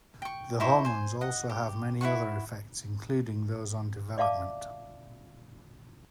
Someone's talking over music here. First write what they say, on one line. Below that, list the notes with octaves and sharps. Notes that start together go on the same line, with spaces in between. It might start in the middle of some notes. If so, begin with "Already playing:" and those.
The hormones also have many other effects including those on development.
G5 C#6
D#4 E4 C5 C#5
C5 G#5
D#5 F#5
G4
E4 C5 F#5 C#6
D5 E5 F5 A5 D6